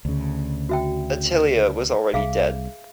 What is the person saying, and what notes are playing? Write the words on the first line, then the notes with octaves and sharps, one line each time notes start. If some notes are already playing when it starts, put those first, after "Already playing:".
Attilia was already dead.
D2 C#3
F#4 E5 G5
C2 G#4 E5 F5